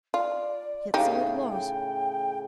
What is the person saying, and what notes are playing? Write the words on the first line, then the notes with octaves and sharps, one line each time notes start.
Yet so it was.
F4 D5
A2 C#3 D#4 G4 F5
G5